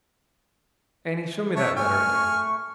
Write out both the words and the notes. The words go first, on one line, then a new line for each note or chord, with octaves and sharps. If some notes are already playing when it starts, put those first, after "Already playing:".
Annie, show me that letter again.'
C#5 E5 A5
A3 G#5 C#6 F6